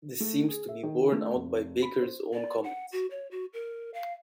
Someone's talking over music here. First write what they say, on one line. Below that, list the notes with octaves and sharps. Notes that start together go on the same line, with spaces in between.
This seems to be borne out by Baker's own comments.
A3
G#4
E5
D#3
A3
F1
B5
C5
D5
F#5
F#4
C#5
F#4
A#4
F5